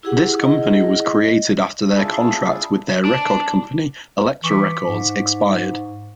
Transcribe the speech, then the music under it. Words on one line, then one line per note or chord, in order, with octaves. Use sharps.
This company was created after their contract with their record company, Elektra Records, expired.
E4 G4 G#4 F#5
D#5
D4 E4 F4 G#4 A4
D4
E3 C#6 D6 B6
G#2